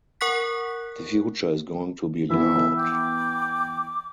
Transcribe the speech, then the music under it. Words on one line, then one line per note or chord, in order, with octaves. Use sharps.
The future is going to be loud!
A#4 F#5 C#6 F#6 B6
E3 B3 E5
G5 D6